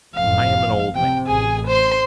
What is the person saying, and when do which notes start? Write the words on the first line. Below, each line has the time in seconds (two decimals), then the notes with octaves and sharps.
I am an old man.
0.15 F#1 F2 A2 F5
0.95 C3 G5
1.27 A1 G#4 G#5
1.67 C5 C6